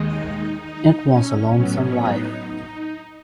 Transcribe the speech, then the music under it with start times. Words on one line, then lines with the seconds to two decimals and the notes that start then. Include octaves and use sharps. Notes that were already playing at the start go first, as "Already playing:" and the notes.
It was a lonesome life.
Already playing: D#2 D#3 G#3 D#4
0.58 D#4
1.06 C#4
1.54 A2 F#3 B3
2.02 D#4
2.50 D#4